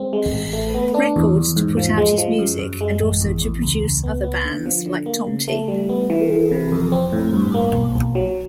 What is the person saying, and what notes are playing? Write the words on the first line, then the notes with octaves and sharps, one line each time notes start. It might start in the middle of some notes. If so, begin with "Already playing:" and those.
Records to put out his music and also to produce other bands like Tomte.
Already playing: G#3 C4
G#3
A1
A3
B3
D4
E2
E2
G#2
F3
G#3
F3
F#2
F#2
G#3
A1
E2
E2
C#2
C#2
B3
B3
D3
F3
D3
A#3
C#3
A3
G3
B3
E3
E3
C3
F2
C4
A2
G2
A#3
B1
B1
F#3